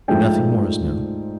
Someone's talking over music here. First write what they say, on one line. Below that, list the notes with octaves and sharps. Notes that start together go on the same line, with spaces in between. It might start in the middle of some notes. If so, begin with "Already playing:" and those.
"And nothing more is known?"
G#2 F3 A3 D4 G5